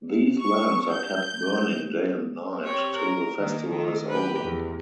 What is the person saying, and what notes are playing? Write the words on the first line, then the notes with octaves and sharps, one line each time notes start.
These lamps are kept burning day and night till the festival is over.
C#6
G6
C4 G4 C#5
A#4
D#3 A#3
D#3 A3
G4 B4
E2